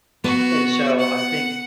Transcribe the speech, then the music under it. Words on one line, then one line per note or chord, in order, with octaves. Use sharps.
and so I think
B3 F#4
F#5